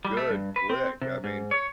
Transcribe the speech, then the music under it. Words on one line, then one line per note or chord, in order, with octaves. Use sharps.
good flick, I mean,
G3
A3
G2
B4
C4
C3
G#2
C#5